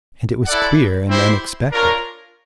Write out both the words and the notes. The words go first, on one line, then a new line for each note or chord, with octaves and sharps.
And it was queer and unexpected.
E4 A4 D5 F#5
C4 E4 G4 C5
D4 F4 A#4 C#5